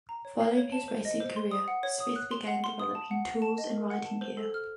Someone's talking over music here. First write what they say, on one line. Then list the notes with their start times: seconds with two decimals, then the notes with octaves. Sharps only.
Following his racing career, Smith began developing tools and riding gear.
0.09 A#5
0.25 C#5
0.41 F5
0.57 C#5
0.72 A5
0.88 C5
1.05 D#5
1.20 C5
1.36 C6
1.51 D#6
1.68 F#5
1.83 C#5
2.00 D#6
2.16 F#6
2.31 C6
2.47 F#5
2.64 C6
2.80 D#6
2.95 A5
3.11 F#5
3.26 F#5
3.42 A5
3.58 D#5
3.75 A#4
3.90 F#5
4.05 A5
4.21 C5
4.37 A4
4.54 F6